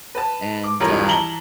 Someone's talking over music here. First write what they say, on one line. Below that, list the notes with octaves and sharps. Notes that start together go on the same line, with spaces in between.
and, uh
B4 A5
D6
E1 C2 G2 F4 A#4 C#5
E3 A5 A#5 F#7 G7